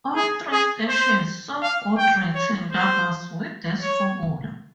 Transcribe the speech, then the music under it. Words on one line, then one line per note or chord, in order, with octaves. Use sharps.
All three stations saw good rating numbers with this formula.
G#4
G#4
C5
F5
G5
C#5
C5
C#5